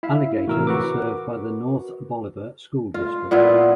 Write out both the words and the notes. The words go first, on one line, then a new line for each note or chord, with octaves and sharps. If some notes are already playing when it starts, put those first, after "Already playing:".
Alligator is served by the North Bolivar School District.
E4 E5 F5
A2 C3 E3 F#4 A#4 E6
F#4 A#4 B4 D6
F4
A#2 B3 E4 F4